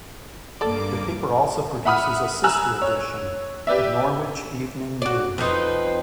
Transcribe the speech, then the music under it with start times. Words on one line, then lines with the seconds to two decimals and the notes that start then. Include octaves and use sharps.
The paper also produces a sister edition, the "Norwich Evening News".
0.61 G2 A#3 A4 D5 D6
1.85 E5 F#5 B5 D#6 F6
2.44 G#5 A#5 E6 F#6
2.82 C#5
3.67 G4 B4 D5 E5
5.02 F#4 D5
5.38 F2 D#4 B4 C5